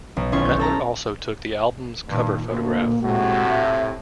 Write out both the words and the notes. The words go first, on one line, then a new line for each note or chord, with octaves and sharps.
Mettler also took the album's cover photograph.
B1
G#1 C#4 E4 F4 G#4 C#6
G6
A4 A#5
G2 A#2 D#3
D2 A#3
A2 C3 G#3 F#4
E5